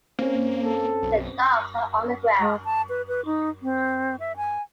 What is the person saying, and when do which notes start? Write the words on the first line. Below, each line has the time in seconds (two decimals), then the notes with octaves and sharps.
The docks are underground.
0.19 A#3 C4 C#4
0.64 A4
1.03 B1
2.40 G#3
2.65 A5
2.89 B4
3.08 B4
3.25 D#4
3.63 C4
4.20 E5
4.37 G#5